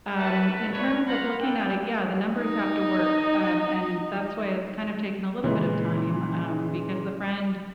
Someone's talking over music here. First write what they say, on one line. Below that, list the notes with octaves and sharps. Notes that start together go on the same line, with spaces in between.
Um, in terms of looking at it, yeah, the numbers have to work, um, and that's why it's kind of taken a little bit of time, um, because the friend
A#4 B4 C#5 E5 F#5 A5
B4 C#5 D5
F4 F5 F#5 A#5 B5
D4 A4 B4 G5
D#4 D#5
A#2 C#3 E3 G#3 C#4